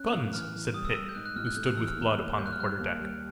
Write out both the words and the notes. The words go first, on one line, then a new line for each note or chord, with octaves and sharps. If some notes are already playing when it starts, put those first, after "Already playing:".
"Guns!" said Pitt, who stood with Blood upon the quarter-deck.
Already playing: C#4 F#6
A2
E3 F6
E3
G3 D#6
E6
G3 E6
G6
G#2 F#6
F#6
A1 F6
F#6
A3 G6
F#6
E3 E6
F6
D#2
D#2
G3 G6
F#6
F6
G3 F#6
D#2
G3